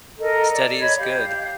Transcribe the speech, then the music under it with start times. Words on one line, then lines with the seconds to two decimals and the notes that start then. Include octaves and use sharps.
Steady is good.
0.19 A4 A#4 D#5 A#5
0.52 D5
0.81 C#5 D#5 B5 G#6
1.00 G4 F5 G6